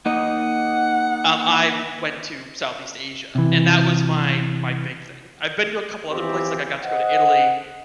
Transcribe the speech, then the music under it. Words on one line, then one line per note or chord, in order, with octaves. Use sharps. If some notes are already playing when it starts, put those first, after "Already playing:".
um, I went to Southeast Asia, and that was my my big thing. I've been to a couple of other places, like, I got to go to Italy
A#3 D#4 D#5 F#5
C3 E3
E2 E3 C4 F4 G4
C5 D#5 F#5